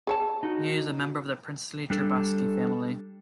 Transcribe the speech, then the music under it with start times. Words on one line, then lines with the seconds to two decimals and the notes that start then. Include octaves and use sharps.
He is a member of the princely Trubetskoy family.
0.07 G#4 C#5 A5
0.43 D#4 F#4
1.90 G3 D4 A4